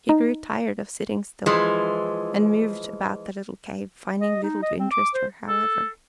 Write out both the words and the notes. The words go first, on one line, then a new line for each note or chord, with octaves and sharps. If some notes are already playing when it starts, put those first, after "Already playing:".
She grew tired of sitting still, and moved about the little cave, finding little to interest her, however.
D#4
E3 F3 G#3
D#5
D#4
D#5
C4
D6
C5
A4